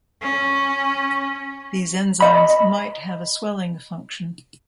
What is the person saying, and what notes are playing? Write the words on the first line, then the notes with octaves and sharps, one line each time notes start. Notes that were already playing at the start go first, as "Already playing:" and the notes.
These enzymes might have a swelling function.
C#4
D#5 B5